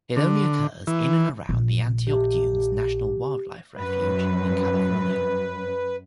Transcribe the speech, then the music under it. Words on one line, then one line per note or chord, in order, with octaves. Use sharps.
It only occurs in and around the Antioch Dunes National Wildlife Refuge in California.
D3
E3
A#1
G4
F#2 B4